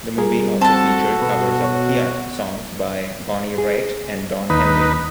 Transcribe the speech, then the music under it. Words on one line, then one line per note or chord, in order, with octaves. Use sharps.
The movie also featured covers of Hiatt songs by Bonnie Raitt and Don Henley.
G3 F4 G#4 A#4
C4 F#4 A4 A5
B2 B3
C#5
G#4
D#2 D#4 B4